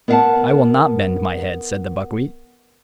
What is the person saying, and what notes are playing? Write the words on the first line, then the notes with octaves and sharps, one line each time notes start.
"I will not bend my head," said the buckwheat.
B3 A#4 D#5 F5 F#5 A5